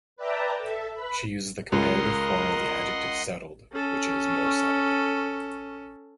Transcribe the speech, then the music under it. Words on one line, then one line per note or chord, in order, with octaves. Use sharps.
She uses the comparative form of the adjective "settled", which is "more settled".
B4 D5 E5 G5 A5 A#5
A4 E5
B4 B5
C#2 A#4 D#5 F#5 C6
C#4 A4